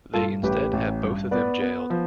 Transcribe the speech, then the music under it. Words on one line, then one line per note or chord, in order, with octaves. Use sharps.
They instead have both of them jailed.
G2 F4 A4
A1 G4 B4
A1
G2
B3 B4 D5
B3
F3